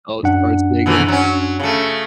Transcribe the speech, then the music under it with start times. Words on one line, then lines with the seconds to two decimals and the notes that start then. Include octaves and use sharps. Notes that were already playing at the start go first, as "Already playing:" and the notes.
Oh, starts digging.
0.23 F#2 D4 F#5
0.86 G#2 E3 A3
1.08 F#3 C#4
1.60 C#3 A3